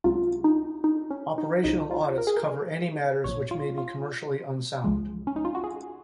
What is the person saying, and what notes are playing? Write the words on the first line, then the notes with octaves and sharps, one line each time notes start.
Operational audits cover any matters which may be commercially unsound.
C#2 C3 F#3 F4
D#4
D#4
C#4
D#4
C#2 C#3 F3 D#4
F4
A#4
G#4
A#4
A#1 A#2 F3 C#5
F4
F4
C#2 C#3 F3 G#3
C#4
D#4
F4
F#4
G#4